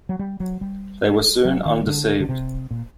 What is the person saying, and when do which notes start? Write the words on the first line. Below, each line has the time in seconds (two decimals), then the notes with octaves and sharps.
They were soon undeceived.
0.09 F#3
0.19 G3
0.40 F#3
0.61 G3
1.45 F#3
1.66 D#3
1.87 D3
2.20 D3
2.29 C3
2.71 A#2